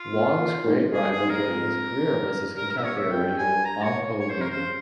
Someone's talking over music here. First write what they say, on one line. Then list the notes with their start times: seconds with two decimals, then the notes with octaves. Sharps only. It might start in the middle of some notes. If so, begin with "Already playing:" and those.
Wong's great rival during his career was his contemporary Ong Poh Lim.
Already playing: F4
0.12 A#2
0.39 A#2
0.66 G#2
0.93 G2 G#4
1.11 G#4
1.20 G#2
1.30 A#4
1.38 G2
1.48 F2
2.56 G2 A#4
2.71 A#4
2.77 E5
2.83 G2 C#5
2.97 E5
3.11 F2 G5
3.38 G2 G#5
3.65 A#5
3.83 C#5
4.19 G#2 C#5
4.30 C5
4.38 C3
4.40 A#4
4.50 C5
4.56 C#3